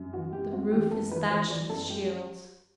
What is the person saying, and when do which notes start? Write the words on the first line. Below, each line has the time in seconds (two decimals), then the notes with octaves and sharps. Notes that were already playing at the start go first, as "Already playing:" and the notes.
The roof is thatched with shields.
Already playing: F#2
0.13 E3 F#4
0.32 F#2 G4
0.52 C4 F#4
0.72 E3 G4
0.91 F#2 A4
1.11 E3 B4
1.30 E3 C5
1.50 E3 D5
1.69 F#2 A4
1.89 G3 G4